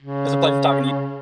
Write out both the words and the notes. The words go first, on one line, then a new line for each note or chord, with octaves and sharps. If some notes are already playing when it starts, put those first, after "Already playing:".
It's a pleasure talking to you
C#3